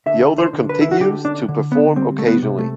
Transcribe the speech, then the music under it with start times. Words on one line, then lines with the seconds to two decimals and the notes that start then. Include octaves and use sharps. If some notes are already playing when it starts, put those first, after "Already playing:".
Yoder continues to perform occasionally.
0.06 D3 E5
0.38 C5
0.53 D3
0.69 B4
0.81 E4
0.91 F#4
1.00 D3 G4
1.25 D4
1.48 D3
1.72 B3
1.96 G3 C4
2.19 A3
2.28 B3
2.43 C3
2.58 A3